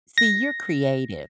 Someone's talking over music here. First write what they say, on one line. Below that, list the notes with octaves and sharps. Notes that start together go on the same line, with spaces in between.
See, you're creative.
A#6